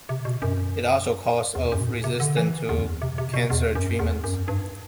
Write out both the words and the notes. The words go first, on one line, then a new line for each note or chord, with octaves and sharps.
It is also a cause of resistance to cancer treatments.
C3
B2
F#2
E2
F#2
B2
A2
C3
D3
E3
E2
F#2
E2
C3
C3
B2
E2
F#2
E2
F#2
G2